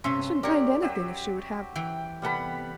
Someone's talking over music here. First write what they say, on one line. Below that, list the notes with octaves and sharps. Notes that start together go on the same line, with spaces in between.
I shouldn't mind anything if she would have me.
G2 C3 C#4 E5 C6
F#4 G4 A#4 C#5 D5
F#3 G4
E3 G5
C3 G3 B3 A4 F#5 B5